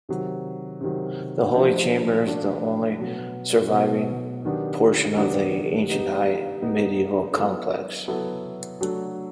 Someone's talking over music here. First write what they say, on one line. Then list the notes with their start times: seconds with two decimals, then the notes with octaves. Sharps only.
The Holy Chamber is the only surviving portion of the ancient high-medieval complex.
0.09 C3 D#3 F#3
0.81 C3 D#3 F#3
1.54 F3 A3 D4 F#4
2.26 F3 A3 D4 F#4
2.99 B2 F#3 B3
3.72 B2 F#3 B3
4.45 D#3 F#3 B3 D4 G4
5.17 D#3 F#3 B3 D4 G4
5.89 G3 B3 D#4 G4
6.62 G3 B3 D#4 G4
7.35 F#3 B3 E4 A4
8.08 F#3 B3 E4 A4
8.81 F#3 A3 D4 F#4 A4